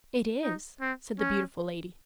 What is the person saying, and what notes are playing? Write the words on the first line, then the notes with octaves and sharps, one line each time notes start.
"It is," said the beautiful lady.
D#4
C4
C#4